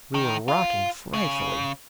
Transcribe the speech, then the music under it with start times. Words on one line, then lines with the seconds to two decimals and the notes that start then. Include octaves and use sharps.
We were rocking frightfully.
0.15 D#3
0.48 F4
1.13 C#3